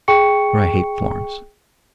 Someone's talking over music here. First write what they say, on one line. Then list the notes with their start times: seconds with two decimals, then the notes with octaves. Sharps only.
For I hate Florence.
0.08 G#4 G5 C#6 C#7